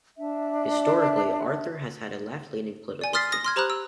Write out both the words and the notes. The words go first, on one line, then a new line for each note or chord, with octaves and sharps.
Historically, "Arthur" has had a left-leaning political stance.
D4 E5
D5 G#5
C6 D#6 F6 A6 B6 C7
D#6 A#6
C6 F6 G#6
G4 C5 A#5 B5 D#6 F#6
E6